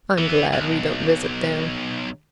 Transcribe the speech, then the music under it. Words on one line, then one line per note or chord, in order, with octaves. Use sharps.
I'm glad we don't visit them.
E3 B3
B1